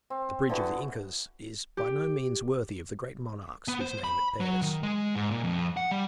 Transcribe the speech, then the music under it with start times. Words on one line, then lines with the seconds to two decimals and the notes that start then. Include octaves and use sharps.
The Bridge of the Incas is by no means worthy of the great monarchs whose name it bears.
0.10 C4
0.49 D3 E3 B3 F#4
1.77 G4
3.68 B3
3.80 C5
4.04 B5
4.40 F#3
4.62 D#3
4.83 G#3
5.15 G#2
5.31 A#2
5.44 F2
5.77 F#5
5.91 G3